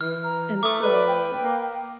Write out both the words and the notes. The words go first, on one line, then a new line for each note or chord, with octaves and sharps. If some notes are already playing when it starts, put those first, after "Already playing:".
and so
E3 F6
A#5
A3 D6 D#6
B4 D5
G5
A#3